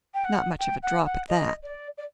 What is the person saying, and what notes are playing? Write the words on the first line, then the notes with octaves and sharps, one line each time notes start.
Not much of a drop at that.
G5
F#5
G5
F#5
F#5
D#5
D5
D5